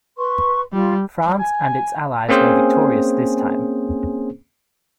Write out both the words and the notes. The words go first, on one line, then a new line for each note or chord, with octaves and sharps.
France and its allies were victorious this time.
B4 C6 C#6
G3 F4
G3
G#5
A#3 C4 C#4 G#4 C5